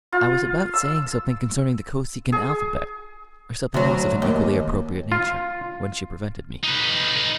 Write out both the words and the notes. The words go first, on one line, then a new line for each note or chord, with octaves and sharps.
I was about saying something concerning the Kosekin alphabet or something else of an equally appropriate nature, when she prevented me.
F4
E6
G#4
D2 F#3
D#2
F4
D#4 B4